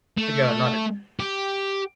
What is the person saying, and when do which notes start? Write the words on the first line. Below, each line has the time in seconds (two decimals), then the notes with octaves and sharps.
The girl nodded.
0.17 A3
1.20 G4